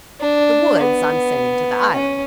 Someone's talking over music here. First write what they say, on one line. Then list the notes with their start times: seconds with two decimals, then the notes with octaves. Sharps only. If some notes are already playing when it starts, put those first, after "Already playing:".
The Woods I'm sending to the Island.
0.20 D4
0.78 B3
1.94 C#4